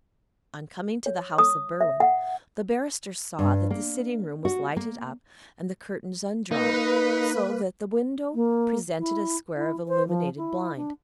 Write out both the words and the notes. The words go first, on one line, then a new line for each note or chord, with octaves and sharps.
On coming to the house of Berwin, the barrister saw that the sitting-room was lighted up and the curtains undrawn, so that the window presented a square of illuminated blind.
C#5
D#6
E5
F#5
G2
A#3
F#4
A#3
A#3 D#4 B4
A#3
E4
E4
C5
F3
E4
D4